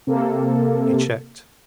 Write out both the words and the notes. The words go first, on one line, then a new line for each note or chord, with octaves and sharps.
He checked.
C3 A#3 A4